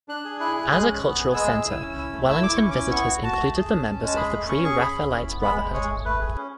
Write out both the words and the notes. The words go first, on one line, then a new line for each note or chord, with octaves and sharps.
As a cultural centre, Wallington visitors included the members of the Pre-Raphaelite Brotherhood.
D4 F#6
G#4
E4 F#6
G#4
G#3 F#6
C#4
B3
G#4
G#3 E6
G#4
E4
C#4
E4
A3
E4 E6
E4 D6
C#4 C#6
E4 D6
B3 C#6
F#4
F#4 A5
A3
G#4
C#4
C#4
G#3
A5
G#4 B5
A3
C#4 C#6
G#4 C#6
G#4 B5
C#4
E4
B3
G#3 B5
G#3
G#4 C#5
A3
A3 B4
G#4
C#4